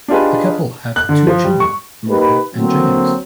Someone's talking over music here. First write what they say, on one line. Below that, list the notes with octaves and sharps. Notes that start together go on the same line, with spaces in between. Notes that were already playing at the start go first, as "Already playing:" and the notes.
The couple have two children, Lauren and James.
D4 D#4 F4 G4 G#4 B4
F#6
D3
F3
G3
C#6
A#3 D#4 G4 B4
D3 F#3 A#3 C4